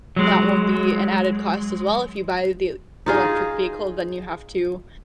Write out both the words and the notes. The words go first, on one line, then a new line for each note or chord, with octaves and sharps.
that won't be an added cost as well, if you buy the electric vehicle, then you have to,
F#3 G#3
D#4 F4 G#4